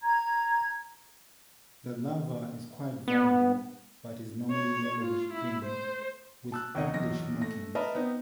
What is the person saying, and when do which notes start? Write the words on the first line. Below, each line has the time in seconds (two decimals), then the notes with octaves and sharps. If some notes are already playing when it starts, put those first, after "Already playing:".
The larva is quite variable but is normally yellowish-green with purplish markings.
0.01 A#5 G#6
3.08 B3
4.51 C#5
5.00 F4
5.33 E4
5.65 C5
6.52 A5 E6 F#6
6.75 D#2 C3 D#4 D#5 F#5
6.94 B1 E2 A#6
7.41 A3 A#6
7.75 A#4 B4 D#5 E5 A5 B5
7.95 B3 C4 D#4